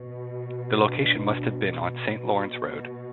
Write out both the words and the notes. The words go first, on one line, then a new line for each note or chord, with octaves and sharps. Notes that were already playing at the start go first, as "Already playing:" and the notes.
The location must have been on Saint Lawrence Road.
Already playing: B2
D4
B2